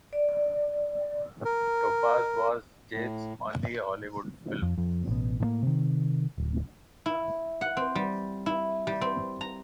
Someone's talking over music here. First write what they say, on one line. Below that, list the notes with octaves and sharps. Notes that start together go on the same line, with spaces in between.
"Topaz" was Jade's only Hollywood film.
D5
A#4
A2
F2
F2
A1 B2
A2 C3 A#3
C3 D#3
D1
E4
F#5
C4
G3
E4
G3
C4
A#5